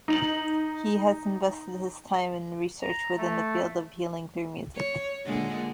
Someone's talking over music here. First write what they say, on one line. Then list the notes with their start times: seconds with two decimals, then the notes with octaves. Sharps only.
He has invested his time in research within the field of healing through music.
0.08 D#4 F7 F#7
2.81 A#5
3.18 A3
4.76 C#5
5.25 A#2 D3 G#3